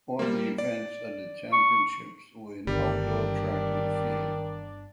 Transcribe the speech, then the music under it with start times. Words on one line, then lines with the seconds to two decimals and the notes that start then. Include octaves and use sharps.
All the events at the championships were in outdoor track and field.
0.19 G3 A#3
0.58 D5
1.52 C#6
2.67 G1 D#3 G3 D4 D5